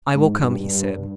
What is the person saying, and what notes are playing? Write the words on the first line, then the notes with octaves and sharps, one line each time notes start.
"I will come," he said.
G#2
G2
G2